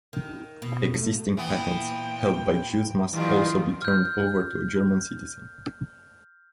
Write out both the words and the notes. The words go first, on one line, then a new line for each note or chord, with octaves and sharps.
Existing patents held by Jews must also be turned over to a German citizen.
D#3
B2
A3
A#2 E3 B3 G5
G2 D#3 E3 F#3 F4
F6 G6